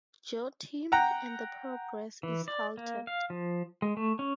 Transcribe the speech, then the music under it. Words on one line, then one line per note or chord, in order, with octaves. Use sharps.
Joe team, and the progress is halted.
F#5 G5 A#5
E3
D5
A#3
F5
F3
G#3
A3
C#4